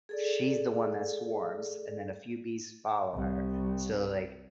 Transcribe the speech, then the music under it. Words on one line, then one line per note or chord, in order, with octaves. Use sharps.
she's the one that swarms and then a few bees follow her. So like
G#4 A4 D5
C2